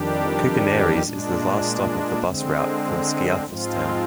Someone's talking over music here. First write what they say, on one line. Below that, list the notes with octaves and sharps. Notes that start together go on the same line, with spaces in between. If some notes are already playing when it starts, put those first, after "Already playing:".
Koukounaries is the last stop of the bus route from Skiathos Town.
Already playing: F2 D#3 G3 D4 G4
A#2 G#3 D4
D3 G#3 C4
G#2 F3 G#3 C4 F4